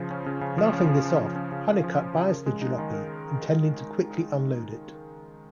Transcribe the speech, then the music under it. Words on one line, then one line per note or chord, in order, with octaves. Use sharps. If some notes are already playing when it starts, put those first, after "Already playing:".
Laughing this off, Hunnicut buys the jalopy, intending to quickly unload it.
Already playing: C#3 F3
C#4
C#3
C#3
F3
C#4
C#3
C#3
F3
C#4
C#3
C#3
F3
C#4
C#3
A#4
G#3
D#4
D#3
A#4